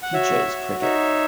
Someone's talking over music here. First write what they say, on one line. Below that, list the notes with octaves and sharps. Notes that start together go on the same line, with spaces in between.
He chose cricket.
F#5
F#4 C#5 E5
F#4
D#4 C#5 E5